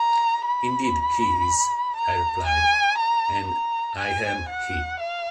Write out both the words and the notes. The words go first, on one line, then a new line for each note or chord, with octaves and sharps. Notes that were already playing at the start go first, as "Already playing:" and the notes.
'Indeed he is,' I replied, 'and I am he.
Already playing: A#5
B5
A#5
G#5
A#5
A#5
G#5
F#5
F5